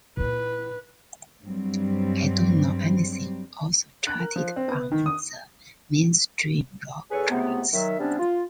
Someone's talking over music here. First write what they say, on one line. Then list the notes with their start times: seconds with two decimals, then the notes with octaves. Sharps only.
"I Don't Know Anything" also charted on the Mainstream Rock charts.
0.17 A#2 E4 B4
1.42 G2 F#3 G3 C4
4.07 F#6
4.20 A#4
4.36 F3
4.56 C4
4.68 B3
4.92 D#3
5.06 D#6
7.11 E2 G#4 A4 B4 C#5
7.31 C#2 C3 A3 B3
7.73 D#3 F#3 E5
8.00 C3 G3 B3 C#4 D4
8.19 F4